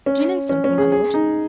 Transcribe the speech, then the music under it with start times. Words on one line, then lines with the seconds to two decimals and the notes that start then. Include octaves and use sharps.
"Do you know something, my Lord?"
0.06 C#4
0.49 C#4
0.64 C#4
0.78 G#4
0.92 G#4
1.14 D#4